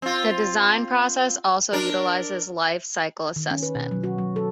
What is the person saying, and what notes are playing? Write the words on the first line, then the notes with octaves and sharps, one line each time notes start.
The design process also utilizes life cycle assessment.
C4 F4
D4 A#4
D#3
C#4
B4
B2
F#3
F#4
F#3
A4